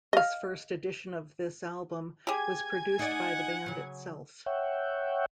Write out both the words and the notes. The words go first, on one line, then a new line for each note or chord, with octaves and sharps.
This first edition of this album was produced by the band itself.
D#5 F5
G4 G#4 G#5 G#6
D#4 D5 F#5
C#3 F#3
C#5 E5 F#5 G5